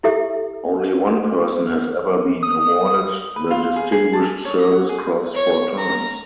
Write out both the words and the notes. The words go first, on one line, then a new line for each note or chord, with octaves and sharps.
Only one person has ever been awarded the Distinguished Service Cross four times.
E4 G4 A4 E5
D#6
B4
F4
G#4
G#4
A5
C#5
D#5
F#5
G#4
C#5
A#5